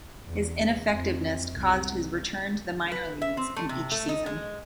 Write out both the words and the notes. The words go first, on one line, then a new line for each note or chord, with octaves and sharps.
His ineffectiveness caused his return to the minor leagues in each season.
E2
F2
C2
B4
E5
C4
A3
C3
A3
D#4
G#3